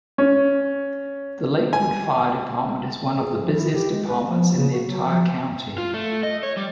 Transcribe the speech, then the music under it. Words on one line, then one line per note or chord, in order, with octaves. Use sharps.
The Lakewood Fire Department is one of the busiest departments in the entire county.
C#4
G#5
G#4
F3
E4
G4
G#3
B4
F3
C#3
F#4
F#3
F3
F4
A3
D#5
C#5
G3